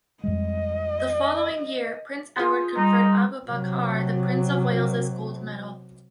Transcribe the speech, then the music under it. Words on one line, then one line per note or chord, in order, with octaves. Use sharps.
The following year, Prince Edward conferred Abu Bakar the Prince of Wales's Gold medal.
F2 G3 G#3 D#5
F4 G#4 C5
G3 D#4
C3 F#3